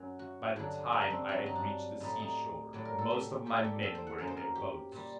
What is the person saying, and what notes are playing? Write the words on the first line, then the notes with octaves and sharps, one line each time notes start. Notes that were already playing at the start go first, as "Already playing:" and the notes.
By the time I had reached the seashore, most of my men were in their boats.
Already playing: F#2 F#3
F#4
G2 D3 F#3 D4
D#4
D4
C4
G2 F#3 F#4
D#4
D4
A2 G3 D#4
D#4
A2 F#3 D5
A#4
A4
G4
A#2 G3 G4
A4
G4
A4
C5
F#5
F#2 F#3 D#5
C5
A#4
G4
A#2 G3